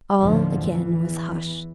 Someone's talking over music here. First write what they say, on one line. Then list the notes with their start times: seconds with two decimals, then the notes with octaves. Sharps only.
All again was hushed.
0.21 D#2 A2 D3 D#3 F3
0.61 E2 E3